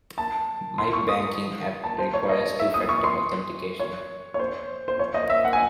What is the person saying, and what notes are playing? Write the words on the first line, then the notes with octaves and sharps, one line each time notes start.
My banking app requires two factor authentication.
A5
C6
C#6
D#6
A5
C5
C#5
D#5
E5
D#6
C#6
C6
C#5
C#5
C5
C5
C#5
D#5
E5
F#5
G#5